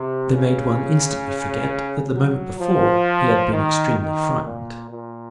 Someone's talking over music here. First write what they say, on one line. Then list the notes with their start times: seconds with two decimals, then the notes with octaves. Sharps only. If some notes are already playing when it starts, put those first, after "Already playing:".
They made one instantly forget that the moment before he had been extremely frightened.
Already playing: C3
0.31 C#3
2.14 F#3
2.60 F3
3.52 D#3
3.97 D#3
4.43 A#2
4.89 A#2